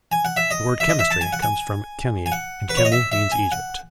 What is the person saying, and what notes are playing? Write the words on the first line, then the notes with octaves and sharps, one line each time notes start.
The word "chemistry" comes from chemi, and chemi means Egypt.
G#5
F#5
E5
D#5
E5
D#5
E5
A5
G#5
F#5
G#5
G#5
F#5
B4
C#5
D#5
E5
E5
G#5
F#5